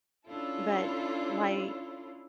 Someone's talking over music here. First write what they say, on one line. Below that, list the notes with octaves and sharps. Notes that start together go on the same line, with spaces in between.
But, like,
C#4 D4 E4 F4 A4